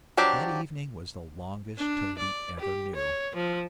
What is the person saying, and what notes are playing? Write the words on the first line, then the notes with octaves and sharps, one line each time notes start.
That evening was the longest Toby ever knew.
F3 F#3 D4 G4
D4
D5
G4
C#5
F3